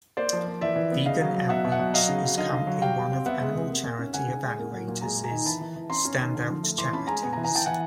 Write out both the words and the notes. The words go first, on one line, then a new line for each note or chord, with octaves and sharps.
Vegan Outreach is currently one of Animal Charity Evaluators' Standout Charities.
A#3 C5 D5
F3
A#3
E3 D5 E5
E3
B3
C#3 D#5 F5
F#3
F#3
B2 E5 F#5
B2
E5 F#5
F#3
F#3 D#5 F5
C#3
F#3
D3 D#5 F5
D3
F#3
G3 F5 G5
G3
C4
B3 E5 F#5
G#3
C3
A#3
A#3
C#4
C#3 F#5 G#5
C#3
G#3
A#3
F#3
A#2
G#3 G#5 A#5
G#3
G#5 A#5
D#3
E3 A5 B5
E3
E3
C#4 A#5 C6
C#4
D#3
D3
F3
A3
E3 C6 D6
C#4 A5 B5
G#3 G#5 A#5
B3 G#5 A#5
G#5 A#5
E3
G#5 A#5
E3 G5 A5
E3 F#5 G#5